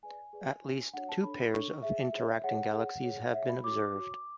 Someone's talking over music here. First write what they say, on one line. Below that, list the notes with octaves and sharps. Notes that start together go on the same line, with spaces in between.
At least two pairs of interacting galaxies have been observed.
G#4 B4 D5 G#5
G#4 B4 D5
D4 F#4 C#5
D4 F#4 C#5 F#5
A5
D4 A4 C#5 B5
D4 A4 C#5 C#6
G#4 C#5 E5
G#4
C#5
G#4 C#5 F#5
G#4 C#5
G#4 C#5
G#4 C#5 E5
B5
F#4 C#5 D6
F#4 C#5